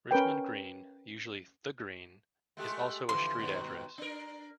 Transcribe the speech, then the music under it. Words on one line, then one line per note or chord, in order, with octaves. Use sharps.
Richmond Green, usually "The Green", is also a street address.
C#4 A#4 B4 G5
G#3 A3 G4
D3 E3 F3 C6
G2 B2 D#3
D4 A#4